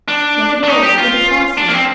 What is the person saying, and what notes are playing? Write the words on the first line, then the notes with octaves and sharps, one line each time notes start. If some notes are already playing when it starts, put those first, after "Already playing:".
"Not at all; with a parson."
D4
D4
D#4
G4
F4
D4
A#3
C4